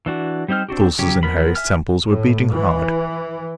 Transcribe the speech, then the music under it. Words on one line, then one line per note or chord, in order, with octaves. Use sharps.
The pulses in Harry's temples were beating hard.
E3 D4 F#4
G3 C4 D#4 C5 F6
C4 D4 F#4 G4
C#3 F#3 C#4 G4
F3 B3 A#4 B5
E5 G#5 F6
A2
E3